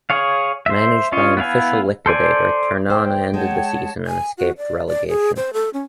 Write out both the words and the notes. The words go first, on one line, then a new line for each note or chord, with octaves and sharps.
Managed by an official liquidator, Ternana ended the season and escaped relegation.
G#4 C#5 F5
C5 E5
C#4 F4 C#5 D#5
B3 E4 F5 G#5
A4 C5 D5 G#5
C5 G5
G#3 C#5 F#5 A5
G#5
F#4
D5
D5
G#4
C5
A4
C#4